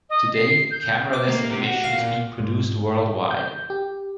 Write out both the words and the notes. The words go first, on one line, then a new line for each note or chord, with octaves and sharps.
Today, cameraless animation is being produced worldwide.
D#5
C7
G6
D6
A#3
C3 G4
F#4
F5
A#2
G#2
G6
G4